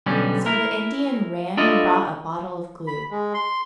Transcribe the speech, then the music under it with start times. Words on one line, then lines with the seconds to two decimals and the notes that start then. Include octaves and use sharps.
So the Indian ran and brought a bottle of glue.
0.06 B1 D3 G3 C#4
0.46 E4 A#4
1.57 D4 E4 F4 A4 D#5
2.87 B5
3.11 G#3
3.34 C6